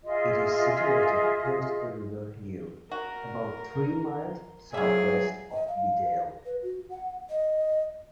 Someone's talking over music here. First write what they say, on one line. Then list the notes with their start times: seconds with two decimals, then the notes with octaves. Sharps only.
It is situated close to the River Ure, about three miles south-west of Bedale.
0.04 F4 G#4 D#5 E5
2.92 F#4 A#4
4.74 F3 F#3 C#4 G#4 E5
5.52 D#5
5.68 F5
6.46 B4
6.62 F#4
6.90 F#5
7.30 D#5